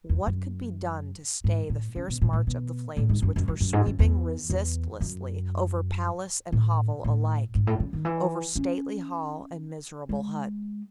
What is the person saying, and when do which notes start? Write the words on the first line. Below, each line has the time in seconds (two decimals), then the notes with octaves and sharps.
What could be done to stay the fierce march of the flames which were sweeping resistlessly over palace and hovel alike, over stately hall and miserable hut?
0.09 E2
0.27 F#2
1.44 G#2
1.70 A2
1.95 C#3
2.08 B2
2.22 A2
2.33 A2
2.47 B2
2.97 A2
3.09 G#2
3.22 F#2
3.36 F#2
3.48 F#2
3.60 F#2
3.73 G#2
3.86 F#2
3.99 E2
4.50 E2
5.01 F#2
6.52 A2
7.04 A2
7.55 G#2
7.67 A2
7.80 C#3
7.93 D#3
8.05 E3
8.56 C#4
10.09 G#3